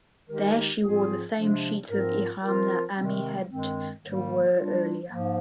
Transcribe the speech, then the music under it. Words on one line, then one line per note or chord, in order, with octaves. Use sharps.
There she wore the same sheets of ihram that Ammi had to were earlier.
D#3 G#3 D#4 G4 A#4
G#2 F3 C4 F4 G#4
C3 F3 G#3 D4
G#2 F3 C4 F4 A#4
F3 C4 F4 A#4
C3 D#3 G#3 C4
G2 D#3 G#3 C4
G#2 D#3 G3 A#3
G3 D4 F4
G#2 F3 A#3